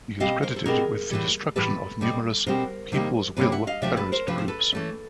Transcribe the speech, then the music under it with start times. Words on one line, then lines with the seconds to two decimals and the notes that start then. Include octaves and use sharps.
He is credited with the destruction of numerous "People's Will" terrorist groups.
0.20 B2 G3 C4 D#5 F5
0.43 A#4 C5
0.56 A4
0.65 B2 G3 C4 G#4 A#4
1.11 A2 E3 G3
1.56 A2 E3 G3 A4 B4
2.01 B2 G3 C4
2.47 B2 G3 C4 A#4 C5
2.92 C3 D#3 G3 A#3
3.37 C3 D#3 G3 A#3 B4 C#5
3.52 E5 F#5
3.67 D#5 F5
3.82 C3 F3 A3 D5 E5
3.97 A4 B4
4.12 A#4 C5
4.28 C3 F3 A3 B4
4.38 C5
4.48 A4 B4
4.72 E3 A3 C#4